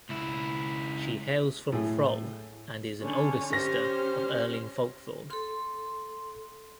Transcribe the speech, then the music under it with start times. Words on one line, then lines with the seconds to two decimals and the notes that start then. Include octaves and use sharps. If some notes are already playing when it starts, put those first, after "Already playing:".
She hails from Frol and is an older sister of Erling Folkvord.
0.10 C#2 E4
1.72 A2 A3 G#4
3.01 D3 C#4
3.53 C#4 G4 C5 F6 A#6
5.30 A4 C6